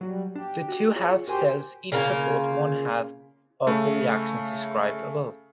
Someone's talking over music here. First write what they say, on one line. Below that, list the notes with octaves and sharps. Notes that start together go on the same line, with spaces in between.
The two half cells each support one half of the reactions described above.
F#3 G3 F#4
D4 G4
F#4
F4 G#4 C#5
F#4 G4 A#4 C5 G#5
C#3 A#3 F4 A#4
C#3 A3